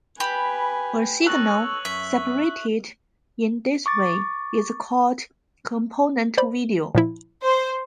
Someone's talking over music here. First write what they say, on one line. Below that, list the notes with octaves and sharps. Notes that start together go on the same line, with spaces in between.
A signal separated in this way is called "component video".
G4 B4 G#5 B5
D#4 A4 C#5 C#6 F#6 F#7
F#2 E5
C#6 D6 A6
C5 D5 B5
A#2 F3 E4
C5